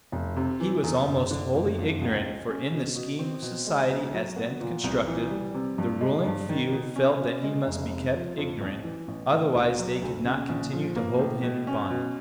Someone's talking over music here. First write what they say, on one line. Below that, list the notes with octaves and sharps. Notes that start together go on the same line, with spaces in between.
He was almost wholly ignorant for in the scheme of society as then constructed, the ruling few felt that he must be kept ignorant, otherwise they could not continue to hold him in bondage.
F1
C3
E3
E2
F#1
D3
F#1
F2
C#2
G#3
C#4
B2
B2
C4
B2
G#3
B1
F#3
B3
A#2
C2
E3
G3
C3
G2
G#3
G2
D#3
B2
C#4
B2
G#3
F1
C3
F3
F2
A1
E3
A1
A2
D2
F#3
D2
C#3
A#1
F3
A#3
A2
B2
C#4
B2